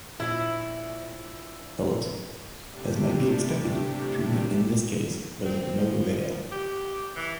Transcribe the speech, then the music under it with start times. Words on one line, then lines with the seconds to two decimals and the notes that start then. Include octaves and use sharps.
As might be expected, treatment in this case was of no avail.
0.20 A#1 E4 E5
2.67 A2 C3 A3 D4 G4
5.45 C4
5.78 F3
6.52 G4
7.16 E3